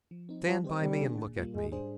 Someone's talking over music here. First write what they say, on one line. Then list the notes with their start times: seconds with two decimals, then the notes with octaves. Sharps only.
Stand by me and look at me.
0.11 F3
0.29 C4 D#4
0.46 F3 G3
0.64 C4 G4 C5 D#5
0.82 C3 G3
1.01 D#3 A#3 D4 G#4
1.18 A#2
1.36 G3 A#3 F4
1.55 G#2 G#3
1.72 G3 D4 G#4 C5